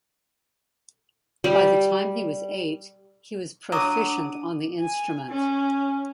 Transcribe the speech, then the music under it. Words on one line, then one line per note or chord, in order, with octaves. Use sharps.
By the time he was eight, he was proficient on the instrument.
G3
F#3 D4 D6 D#6 D#7
G#5
C#4